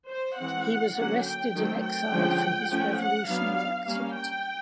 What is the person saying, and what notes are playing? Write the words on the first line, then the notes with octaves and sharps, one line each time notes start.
He was arrested and exiled for his revolutionary activity.
C5
E3 G#3 C4 F#5
D3 F#3 A#3 C#4 F#5
G5
D#3 F#3 A3 C4
G5
D3 F3 G#3 C#4
F3 A3 C#4
F#5
F#3 B3 D4 F5
G3 A#3 C#4 F5
G5